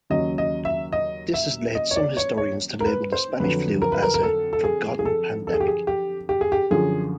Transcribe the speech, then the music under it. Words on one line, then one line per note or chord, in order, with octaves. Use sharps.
This has led some historians to label the Spanish flu a "forgotten pandemic".
D#2 C#3 F#3 D#5
D#5
E5
D#5
E5
D#5
C#5
D5
C#5
C#5
A#4
B4
C5
F2 D3 F#3 B4
A#4
B4
A#4
A#4
A4
A4
G#4
G#4
A4
A4
G#4
G4
G#4
G4
G4
G#4
G4
F#2 D3 F3 G#4